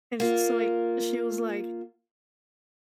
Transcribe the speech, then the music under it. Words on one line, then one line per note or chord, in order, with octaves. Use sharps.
and s so, like, she was like
A#3 F4